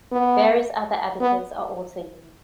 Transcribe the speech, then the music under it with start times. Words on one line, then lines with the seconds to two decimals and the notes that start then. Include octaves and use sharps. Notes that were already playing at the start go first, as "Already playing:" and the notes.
Various other additives are also used.
0.12 B3
1.21 B3